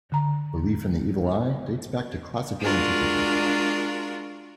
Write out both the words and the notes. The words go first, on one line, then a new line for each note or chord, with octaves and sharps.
Belief in the evil eye dates back to Classical antiquity.
D3 A#5
G#3 D4 F4 F#4 A#4